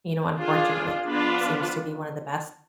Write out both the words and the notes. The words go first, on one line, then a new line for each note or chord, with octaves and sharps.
you know, unfortunately, time seems to be one of the best
D4 F4 G#4
F3 B3 D4 F4 B4